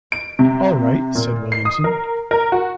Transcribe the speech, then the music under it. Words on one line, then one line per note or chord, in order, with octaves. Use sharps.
"All right," said Williamson.
D7
C3
A#2
C7
D#6
A#4
A#4
F#4